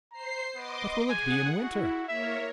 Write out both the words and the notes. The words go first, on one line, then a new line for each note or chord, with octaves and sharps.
"What will it be in winter?"
C5 A#5 C7
B3 D#5 C6 D6
G#4 F#5 G#5
E4 F#4
A#3 A#4 C#5 E5